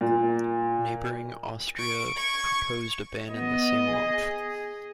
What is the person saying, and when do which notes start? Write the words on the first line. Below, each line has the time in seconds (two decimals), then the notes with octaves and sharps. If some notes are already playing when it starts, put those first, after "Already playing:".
Neighbouring Austria proposed a ban in the same month.
0.01 A#2
1.76 C#6 D7
2.16 C#6 G#6
3.30 B3 D#5
3.92 G#4